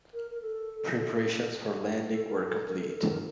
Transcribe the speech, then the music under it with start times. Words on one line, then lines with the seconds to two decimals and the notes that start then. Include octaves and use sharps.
Preparations for landing were complete.
0.13 A#4
0.31 A#4
0.42 A4
2.10 A4
2.28 A#4
2.47 A4
2.61 A4
2.66 A#4
2.81 A4
2.88 A#4
2.95 A4
3.09 A#4